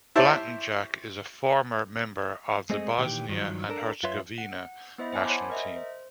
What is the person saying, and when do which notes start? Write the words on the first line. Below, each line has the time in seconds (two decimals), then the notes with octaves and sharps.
Blatnjak is a former member of the Bosnia and Herzegovina national team.
0.16 E4 G4 C5 C#5 E5 A5
2.70 G#3 A3 C4 G#4 D#5
2.98 A#2 D#3 E3 G4
3.29 G2 D#3 F3 F#3
3.68 D4 A4 A#4
4.03 F#2 F4 B4 C#5 E5 C6
4.38 F#5
4.98 B3 E4 C5 D#5 E5 B5
5.12 C5 F#5 G#5 A5 D6
5.26 C5 C#5 F#5 G#5 B5 C6
5.50 A#4 D#5 E5
5.76 C5